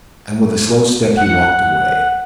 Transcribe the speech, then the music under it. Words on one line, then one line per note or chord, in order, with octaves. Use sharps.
And with a slow step he walked away.
F#5